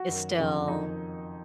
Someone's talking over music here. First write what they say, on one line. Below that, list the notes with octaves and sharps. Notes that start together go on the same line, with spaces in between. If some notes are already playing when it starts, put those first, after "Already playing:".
is still
Already playing: F#4
F#2 D#3
F2 C#3 F3
F2 D#3 D#4